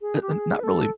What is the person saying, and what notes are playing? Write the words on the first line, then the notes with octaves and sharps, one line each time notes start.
eh eh not really
G#4
G4
G#4
B4
A4